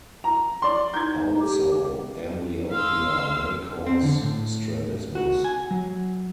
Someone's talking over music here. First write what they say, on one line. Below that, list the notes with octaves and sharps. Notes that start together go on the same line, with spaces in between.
Also, amblyopia may cause strabismus.
A#5
D5 C6
D#4 G6 G#6
G4
F5 C6 E6
C4
D3
A2
F#4
G#5
F#3